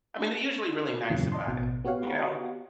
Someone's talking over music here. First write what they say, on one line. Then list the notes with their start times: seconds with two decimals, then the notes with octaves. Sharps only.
I mean, they're usually really nice about it, you know.
1.10 E2 G2 A#2 C#3 E3 F#3
1.32 D5 D#5 A5 C6
1.47 A1 B2
1.85 B3 F#4 G4 C#5 F5 F#5